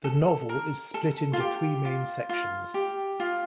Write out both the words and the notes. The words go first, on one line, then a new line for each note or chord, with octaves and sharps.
The novel is split into three main sections.
A4
A#4
A4
F4
G4
F4
F4
G4
F4